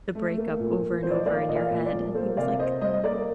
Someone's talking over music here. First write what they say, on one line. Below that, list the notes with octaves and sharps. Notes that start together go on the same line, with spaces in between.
the breakup over and over in your head." And he was like,
A3
A#3
A#2
A#2
F3 C5
D5
D#5
A#3 D5 F5
A#2 D#5
D5 F5
A#2
A#4 D5
F3
A#3 A4 C5
C3 D5 F5
C3 C5 D#5
G3 C5 D#5
D#5
A#3 A#4 D5